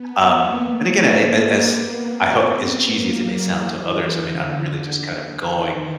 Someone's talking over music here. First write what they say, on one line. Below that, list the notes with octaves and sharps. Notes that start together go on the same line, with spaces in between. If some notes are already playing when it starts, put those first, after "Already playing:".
um and again, a a as, I ho as cheesy as it may sound to others, I mean, I'm really just kind of going
Already playing: B3
A#3
A3
A#3
B3
C4
B3
A#3
F#3
E3
E3
D3
D#3
D#3